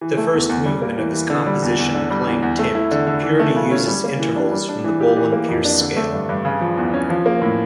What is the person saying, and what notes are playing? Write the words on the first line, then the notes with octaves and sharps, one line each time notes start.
The first movement of his composition "Clang-Tint", "Purity", uses intervals from the Bohlen-Pierce scale.
E3
A3
E2
E2
G3
A#3
E3
E3
D3
G3
E2
E2
D3
G3
E2
E2
A3
E4
D3
D3
E3
A3
C#3
C#4
G3
A#3
E3
D4
G3
D4
E3
G4
E3
A#3
F2
D4
D3
A3
G2
G2
C#3
F3
E2
C#4
F3
A#3
A2